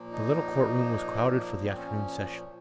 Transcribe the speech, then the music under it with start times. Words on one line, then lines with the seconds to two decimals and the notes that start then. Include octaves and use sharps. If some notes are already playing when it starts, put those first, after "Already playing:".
The little Court Room was crowded for the afternoon session.
Already playing: A#2 F3 A#3
0.12 D#4
1.56 A#3
1.65 C4
1.75 C#4